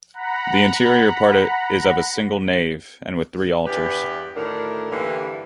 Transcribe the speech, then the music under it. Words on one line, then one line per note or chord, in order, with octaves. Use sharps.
The interior part is of a single nave and with three altars.
F#5 A#5 B5
E2 G2 G4 B4
D2 A2 D#3 D4 A#4
G2 D3 E3 G3 A#3